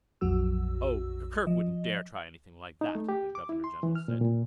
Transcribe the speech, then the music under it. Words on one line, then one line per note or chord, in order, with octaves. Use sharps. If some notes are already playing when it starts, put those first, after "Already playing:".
"Oh, Gurgurk wouldn't dare try anything like that," the Governor-General said.
A#1 F2 F#3 F#4 E6
F3 D#5
D#4
A3
G4
D6
E4
C6
E3
F6
A#2
A#2